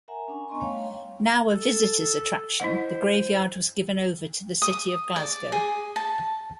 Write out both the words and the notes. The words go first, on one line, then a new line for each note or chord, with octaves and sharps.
Now a visitors' attraction the graveyard was given over to the city of Glasgow.
A#4 E5 F#5 G#5 A#5
C#4 D4 G#5
B3 D#5 G#5 A#5 C6 C#6
G3 A3 C#5 F5 G5
A4
E4 C5 D#5 F#5
D#6
D5
G#4
A5